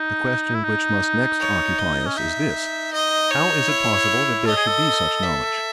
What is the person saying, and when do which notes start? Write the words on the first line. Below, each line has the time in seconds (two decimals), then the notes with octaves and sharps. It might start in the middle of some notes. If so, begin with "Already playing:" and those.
The question which must next occupy us is this: How is it possible that there should be such knowledge?
Already playing: D#4
0.55 E4
0.64 D#4
1.40 C#5
1.79 D#5
2.05 C#4
2.17 D#4 E5
2.93 D#5
3.31 C#5
3.69 E4
4.46 A4 D#5
4.57 G#4
4.67 A4
5.23 E5